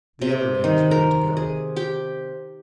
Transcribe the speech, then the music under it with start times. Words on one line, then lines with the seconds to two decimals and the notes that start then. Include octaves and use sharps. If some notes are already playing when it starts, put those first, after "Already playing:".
The other man was ready to go.
0.21 C3
0.64 D#3
0.91 A#4
1.37 G#4
1.76 G4